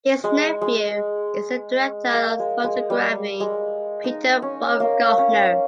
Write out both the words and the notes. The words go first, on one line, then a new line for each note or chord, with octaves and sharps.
His nephew is the director of photography Peter Baumgartner.
G#3
G#3
A#3
G#3
G#3
G3
G#3
D#4
C#4
A#3
C#4